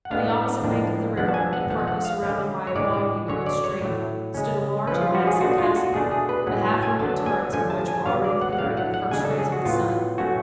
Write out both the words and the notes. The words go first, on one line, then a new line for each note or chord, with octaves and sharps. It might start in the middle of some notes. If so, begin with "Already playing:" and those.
On the opposite bank of the river, and partly surrounded by a winding of its stream, stood a large and massive castle, the half- ruined turrets of which were already glittering in the first rays of the sun.
F#5
A2 G#3 B3 D4 F5
A2 F3 G#3 D4
F3 B3 D4 F#5
A5
G#5
F#5
F3 A3 D4 F#5
F#5
F5
D3 G#3 C#4
C#5
A2 G#3 D4 D5
D5
D3 F#3 C#4 C#5
D5
C#5
A2 F#3 A3
C#3 G#3 C#4
F3 G#3 C#4 B4
F4
F#4
G#4
F4
B2 A3 D4 F#4
F4
F#4
B2 A3 D4 G#4
G#4
B4
A2 F#3 C#4 F#5
G#5
A5
G#5
D3 F#3 B3 D4 A5
G#5
D3 F3 A3 C#4 G#5
A5
G#5
D3 F#3 B3 F5
D5
F#5
F#5
A2 F#3 A3 D4 F5
F#5
F#5
C#3 G#3 D4 G#5
A4
G#4
F#4
A2 F#3 B3 F4
A2 F#3 A3 C#4 F#4